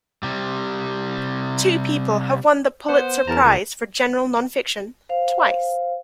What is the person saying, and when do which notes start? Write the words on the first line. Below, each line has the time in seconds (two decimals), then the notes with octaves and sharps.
Two people have won the Pulitzer Prize for General Nonfiction twice.
0.23 C3 G3
2.88 B3 C5 F#5
3.28 E2 A#4 A5 A#5
3.44 C#2
5.09 C5 F5